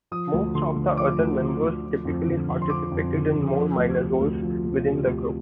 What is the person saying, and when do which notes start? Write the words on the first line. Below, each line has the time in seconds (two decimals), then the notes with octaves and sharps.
Most of the other members typically participated in more minor roles within the group.
0.11 F3 D#6
0.34 D2
0.54 D3 C6
0.76 D2
0.97 F3 D6
1.19 D2
1.41 D3
1.63 D2
1.84 F3
2.05 F2
2.28 D3
2.48 F2
2.62 C6
2.70 F3 D6
2.92 F2
3.14 D3
3.35 F2
3.56 F3
3.77 D2
3.99 C3
4.21 D2
4.42 F3
4.64 D2
4.86 C3
5.07 D2